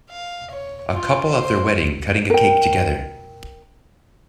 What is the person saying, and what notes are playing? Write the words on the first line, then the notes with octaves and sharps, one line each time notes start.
A couple at their wedding cutting a cake together.
F5
C#5
F4
C5
A#4 G5